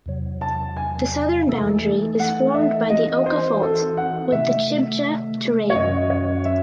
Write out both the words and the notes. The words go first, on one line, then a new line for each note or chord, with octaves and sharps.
The southern boundary is formed by the Oca Fault with the Chibcha Terrane.
E2 C3 F#3
A5
G#5
E3 A3 D#4 A4
F#5
E5
E3 C4 D#4 F#4 D#5
C5
A4
F#5
C3 D#3 A3 E5
C#5
F#2 D#3 F#3 C#4 F#4 D#5
C#5
E5